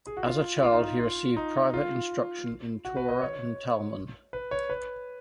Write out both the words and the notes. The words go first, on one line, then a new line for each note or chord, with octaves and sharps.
As a child he received private instruction in Torah and Talmud.
G#4
F#4
F4
F4
D#4
F4
F4
D#4
F4
F#4
B4
D#5
C#5
B4
C#5
B4